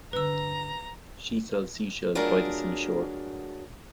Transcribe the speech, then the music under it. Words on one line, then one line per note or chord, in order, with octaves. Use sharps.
She sells sea shells by the sea shore.
G2 D3 B4 A#5 E6
F#3 A3 D4 F4 G#4 A#4